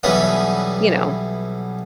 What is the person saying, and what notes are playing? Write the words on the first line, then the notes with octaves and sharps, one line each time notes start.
you know.
B1 E3 G3 B3 C#4 D#6